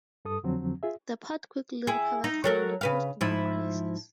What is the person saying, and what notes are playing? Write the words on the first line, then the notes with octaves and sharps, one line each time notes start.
The port quickly recovered from the post-war crisis.
G2 A4 D#6
F2 D3 F3 F#3 C4
F4 G#4 E5
E4 G#4
D#4
F#3 A4 A#4
C#3 B4 F5
G#2 F3 E4